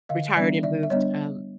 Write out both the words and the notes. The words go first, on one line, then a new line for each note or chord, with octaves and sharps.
retired and moved, um,
D3 D#5 F5
G3 B3 D4 D5 E5
D3 D5 E5
E5
G3 B3 D4 C#5 D#5